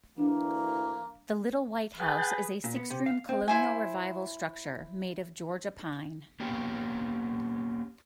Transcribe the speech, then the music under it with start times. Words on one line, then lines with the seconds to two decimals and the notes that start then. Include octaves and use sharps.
The Little White House is a six-room Colonial Revival structure made of Georgia pine.
0.18 D2 E3 A#3 D4
2.00 G#4 B4 F#5 G5 A5
2.64 A#2
2.76 B3
2.90 C3
3.06 F5
3.29 C4
3.48 E4 C5 G#5
6.40 A#3 B3 C#4 G4 C#5